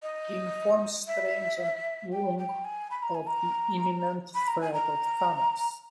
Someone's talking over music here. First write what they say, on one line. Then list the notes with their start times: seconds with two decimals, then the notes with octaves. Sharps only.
He informs Strange and Wong of the imminent threat of Thanos.
0.03 D#5
1.07 E5
2.12 G5
2.39 G5
2.65 G#5
2.91 B5
3.03 A#5
3.15 G#5
3.27 A#5
4.35 B5
4.48 A#5
4.61 G#5
4.74 A#5